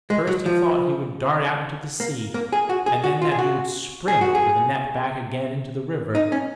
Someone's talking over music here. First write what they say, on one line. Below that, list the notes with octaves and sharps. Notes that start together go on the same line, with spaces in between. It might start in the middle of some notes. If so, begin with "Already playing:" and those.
First he thought he would dart out into the sea, and then that he would spring over the net back again into the river.
G#3
F#3
F3
A#3
A#3
G#4
F#4
G#4
F#4
F4
G#4
F#4
G#4
F#4
G#4
D#4
C#4